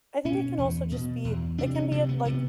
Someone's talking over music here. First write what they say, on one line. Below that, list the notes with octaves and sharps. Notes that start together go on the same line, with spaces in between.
I think it can also just be it can be a, like,
B2 C#4
E2
B2
E2
C3 D4
C#4
C3 C4
B3
C3 B3